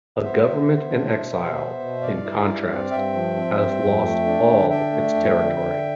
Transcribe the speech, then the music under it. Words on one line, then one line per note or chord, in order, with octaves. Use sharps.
A government in exile, in contrast, has lost all its territory.
B3 C5 E5
B3
B3
D4
B2
B2
B3
B2
G2 D5 F5
E4
G2
C4
G2 E5 G5
F3
C4
G2
F2
A3
D4
D3
D4 E5 G5
A3
F2
D3
D3